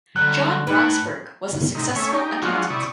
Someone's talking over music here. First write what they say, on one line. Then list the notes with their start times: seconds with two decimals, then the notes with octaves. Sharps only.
John Roxburgh was a successful accountant.
0.16 D3 F#3 G3 F#6
0.67 A2 D#4 B4
1.75 A2 C3 D#4
1.96 A3 C#4 C#5 E5
2.12 D#4 G4
2.42 F3 F#3 G#3 D4 F4 F#4
2.70 C3 E4 D5 C#6 D#6